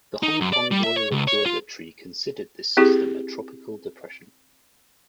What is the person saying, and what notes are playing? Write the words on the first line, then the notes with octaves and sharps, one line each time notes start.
The Hong Kong Royal Observatory considered this system a tropical depression.
D#4
F#2
D5
G3
E5
C#5
C#2
C#5
F4
C4 E4 G4 G#4